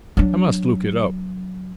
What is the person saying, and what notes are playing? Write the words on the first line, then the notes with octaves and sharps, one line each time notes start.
I must look it up.
F#3 D4